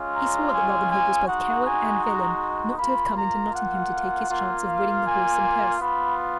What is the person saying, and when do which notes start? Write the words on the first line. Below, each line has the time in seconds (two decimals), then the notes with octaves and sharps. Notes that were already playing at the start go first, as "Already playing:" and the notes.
He swore that Robin Hood was both coward and villain not to have come into Nottingham to take his chance of winning the horse and purse.
Already playing: G#3 C#4 F4
0.14 A#5
0.52 G#5
0.90 G#5
1.27 G#3 D#4 F#4 F#5
1.65 G#5
2.03 A#5
2.78 A#3 F4 B5
3.17 A#5
3.54 F#5
4.30 A#3 F4
4.67 F5
5.05 G#5
5.80 B3 F4 B5